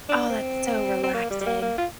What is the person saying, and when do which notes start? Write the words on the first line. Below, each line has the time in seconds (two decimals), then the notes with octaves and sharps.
Oh, that's so relaxing.
0.09 D4
0.30 C4
1.04 C4
1.14 A#3
1.31 G3
1.41 G3
1.47 A#3
1.62 A#3
1.78 F4